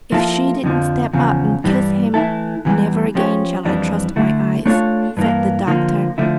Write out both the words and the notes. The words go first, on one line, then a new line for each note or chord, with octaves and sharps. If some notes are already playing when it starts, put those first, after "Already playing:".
"If she didn't step up and kiss him, never again shall I trust my eyes!" said the doctor.
F3 A#3 E4 A4
F2 D3 F3
E2 C#3 F3
G2 E3 G3
E3 A3 E4 A4
E2 E3 G3
F3 C#4 G4 C#5
F2 E3 G3 D4
D3 A3 E4
A3 D4 F4 A4 C#5
G2 E3 A#3
D3 F3 A#3
D3 F3 A3 E4